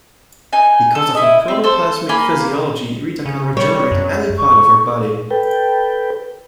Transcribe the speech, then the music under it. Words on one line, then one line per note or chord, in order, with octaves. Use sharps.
Because of her protoplasmic physiology, Rita can regenerate any part of her body.
D#4 G#5
A4
E4 D#5
C4
A4 C5
A#3 G#5 B5
C#3
G3 C#5
F#2
C#6
A4 B4 G5